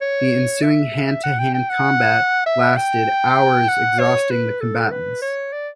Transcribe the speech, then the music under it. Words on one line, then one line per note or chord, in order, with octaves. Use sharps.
The ensuing hand-to-hand combat lasted hours, exhausting the combatants.
C#5
E5
F#5
G5
G5
F#5
E5
G5
F#5
C#5
B4
A4
B4
C#5
D5